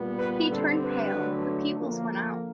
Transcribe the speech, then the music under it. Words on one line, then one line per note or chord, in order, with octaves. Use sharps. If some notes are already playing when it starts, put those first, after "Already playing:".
He turned pale, the pupils went out.
Already playing: A#2 G3 B3
B4
D3 G3 C4 A4
B4
D3 F#3 A3
D3 F3 A#3